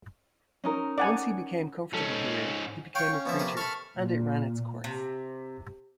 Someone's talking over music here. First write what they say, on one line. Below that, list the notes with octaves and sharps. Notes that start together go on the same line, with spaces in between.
Once he became comfortable here, he became a preacher, and it ran its course.
C#4 D#4 A#4
D5 F#5 G#5
G#2 C#4 A4
C#5 F5 G5 C#6
C#4
B2 F3 E5
C3 A#4 B4
A4 B5 C#6 F6
A#2
C3